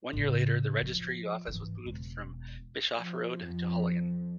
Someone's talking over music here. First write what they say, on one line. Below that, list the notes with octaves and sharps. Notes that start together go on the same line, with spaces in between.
One year later, the registry office was moved from Bischofferode to Holungen.
A2 C#3
F3
G#2 E3
E1
F3
F2